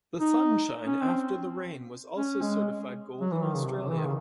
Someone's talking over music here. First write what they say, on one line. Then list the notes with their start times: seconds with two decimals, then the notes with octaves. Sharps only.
"The Sunshine After the Rain" was also certified gold in Australia.
0.20 D#4
0.86 C#4
1.02 C4
2.17 C#4
2.42 G#3
3.21 F#3
3.32 E3
3.43 D#3
3.54 C#3
3.64 C3
3.89 E3
3.98 D#3
4.05 C#3